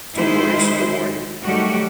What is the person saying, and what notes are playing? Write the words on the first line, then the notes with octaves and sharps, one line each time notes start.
"Don't worry" said the warrior.
D#3 G#3 E4 C5
D#3 F#3 G3 A3 F#4 G4